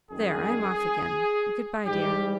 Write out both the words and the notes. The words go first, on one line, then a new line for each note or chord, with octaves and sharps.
There, I am off again.... Good-bye, dear.
F#2 D#3 G3 G#4
G#2 E3 G3 G4